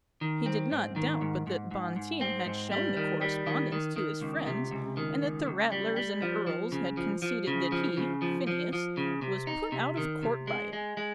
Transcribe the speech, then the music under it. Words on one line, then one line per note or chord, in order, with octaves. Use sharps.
He did not doubt but that Bonteen had shown the correspondence to his friends, and that the Ratlers and Erles had conceded that he, Phineas, was put out of court by it.
D#3
C4
G#2
D#3
G#2
G#2
G#2
G#2
C4
G#2
G3
D#3
G3
D#3
D#3
D#3
C#2
C3
C#2
D#3
C#2
C#2
G3
G3
F3
F3
C#3
F3
F3
C#3
F3
C#3
F3
F3
F3
C#3
C3
D#4
C3
D#3
C3
G#3
G#3
G#3